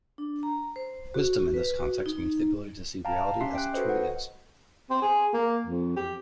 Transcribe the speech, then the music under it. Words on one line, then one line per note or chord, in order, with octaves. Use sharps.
"Wisdom" in this context means the ability to see reality as it truly is.
D4
A#5
C5
F#4
B4
F#4
D#4
F5 G5 A5 A#5
C#4 G4 E5 C6 B6 C7
G5 F#6
F#4 A4 B4 C5 D#5
F#5
C4
G#4
A#3
F2
G4